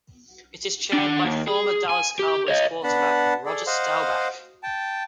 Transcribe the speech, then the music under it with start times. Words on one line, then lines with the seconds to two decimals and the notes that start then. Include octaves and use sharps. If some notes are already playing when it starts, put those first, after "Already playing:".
It is chaired by former Dallas Cowboys quarterback Roger Staubach.
0.93 D4 F#5
1.25 D#2
1.48 G#4
1.89 G#5
2.19 G4
2.48 C#5 D#5
2.84 B3 D4 F#5 A5 B5
3.46 G#4 A4 D5
3.67 C5 D#5 F5 F#5 C6
4.63 G5 A5